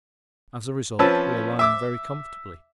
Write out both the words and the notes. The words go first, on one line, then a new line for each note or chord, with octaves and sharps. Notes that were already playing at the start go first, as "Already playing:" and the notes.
As a result we are lying very comfortably.
F3 C4 C#4 B4 A5 E6
E5 D6 E6